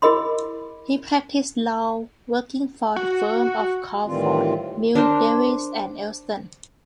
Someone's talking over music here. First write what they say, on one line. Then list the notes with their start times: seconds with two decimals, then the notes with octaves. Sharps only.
He practised law, working for the firm of Crawford, Mill Davies and Elston.
0.02 E4 G#4 A#4 D#5 B5 C6
2.96 F#4
4.06 A2 D#3 E3 G3 C4 F4
4.95 D4 A#4 C5